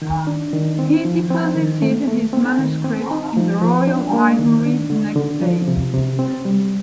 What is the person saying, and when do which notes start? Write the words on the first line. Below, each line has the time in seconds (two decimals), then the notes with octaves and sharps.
He deposited his manuscripts in the Royal Library the next day.
0.02 D#3
0.27 D4
0.53 D#3
0.79 C4
1.05 F3
1.31 C4
1.55 D#3
1.82 A3
2.08 A3
2.33 C4
2.59 D#3
2.85 C4
3.11 D#4
3.37 F3
3.61 F3
3.87 D4
4.13 A#3
4.39 D#3
4.65 D4
4.90 D3
5.16 D3
5.42 F3
5.68 C3
5.94 C3
6.19 C4
6.45 G3